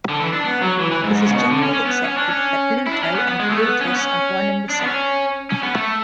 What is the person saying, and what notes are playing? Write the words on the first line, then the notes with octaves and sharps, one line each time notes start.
It is generally accepted that Bluto and Brutus are one and the same.
D3
E3
D4
B3
F#3
E3
E3
G#2
G#2
C#3
B2
D3
C#4
C#4
B3
C#4
D4
C#4
E4
D4
C#4
B3
B3
G#3
A3
B3
C#4
B3
C#4
D4
B3
C#4
C#4
B3
A3